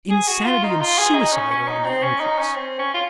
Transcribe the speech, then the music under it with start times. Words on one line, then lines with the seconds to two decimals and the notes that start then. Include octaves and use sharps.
Insanity and suicide are on the increase.
0.10 G#4
0.28 F#4
0.46 F4
0.63 D#4
0.81 F4
0.98 G#4
1.15 D#4
1.33 C#4
1.51 C#4
1.68 D#4
1.85 C4
2.03 C#4
2.20 D#4
2.39 C#4
2.56 C4
2.79 C#4
2.94 F4